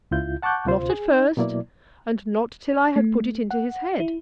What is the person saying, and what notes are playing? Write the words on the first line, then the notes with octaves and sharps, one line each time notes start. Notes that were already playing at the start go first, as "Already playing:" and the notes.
Not at first, and not till I had put it into his head.'
C#2 E4 F4 G6
F#5 A5 C#6 D6 F#6 G6
D2 C3 F4 C5
G#4
D#4
B2 F#3 A#3 E4 D5
A3
F#5
E4